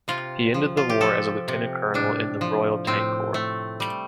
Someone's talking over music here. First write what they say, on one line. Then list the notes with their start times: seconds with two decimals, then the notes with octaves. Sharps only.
He ended the war as a Lieutenant-Colonel in the Royal Tank Corps.
0.08 C3 F4
0.54 F3
0.77 F4
0.90 G4
1.01 F3 A4
1.48 C3
1.94 A2 D4
2.41 F3
2.87 A2 C4
3.34 A3
3.80 G3